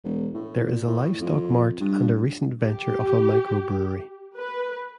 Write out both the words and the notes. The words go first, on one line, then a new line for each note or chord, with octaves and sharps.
There is a livestock mart and a recent venture of a microbrewery.
E1
A2
A#2
A2
F2
G2
G4
B4